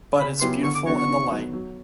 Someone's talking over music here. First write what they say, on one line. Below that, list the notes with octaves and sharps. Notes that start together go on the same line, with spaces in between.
But it’s beautiful in the light.
C#3 B5
F#3 B3 E4 G4 C6
D3 C#6
D6
F#3 B3 D4 F#4 C#6
C#6
D#3
F#3 B3 D#4
F#3